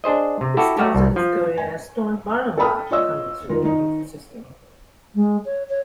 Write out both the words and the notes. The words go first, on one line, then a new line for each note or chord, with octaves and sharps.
He started his career at Stahl Brandenburg, coming through their youth system.
D4 G#4 C5 D#5
C3
E4 F#4 G4 A4
A3 F#4 G4
C2
F3
G#5
A4 G5 B5 D#6 F6
F4 C#5 D#5 E6
D#3 F4 A#4
D#3 D#4
G#3
C#5
C#5